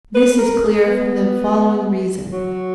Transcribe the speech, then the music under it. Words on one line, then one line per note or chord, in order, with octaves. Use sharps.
This is clear from the following reason.
B4
A#4
G#4
B3
F#3